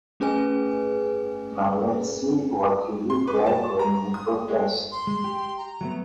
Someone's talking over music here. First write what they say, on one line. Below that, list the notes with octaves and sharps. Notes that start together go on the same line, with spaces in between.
Now let's see what you look like when you protest.
A3 C#4 G#4 B4 G#5
C6
B4
A5
A#5
D#6
G#3
C6
G#3
G4
A#5
F#3 A3 B3